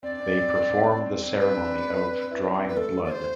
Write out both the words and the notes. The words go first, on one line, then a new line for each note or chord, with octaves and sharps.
They perform the ceremony of drawing blood.
C4 D5
D4
C4
D4
C4
D4
C4
D4
C4
D4
C4
D4
C4
D4
C4
D4
C4 B4
D4
C4
D4
C4
E4
D4
C4
B3 B4
A3 A4
D5
C5